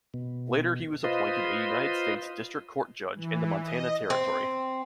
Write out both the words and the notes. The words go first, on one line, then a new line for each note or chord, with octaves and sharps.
Later he was appointed a United States District Court judge in the Montana Territory.
B2
F4 B4 C5 D#5
E3
D#5
C4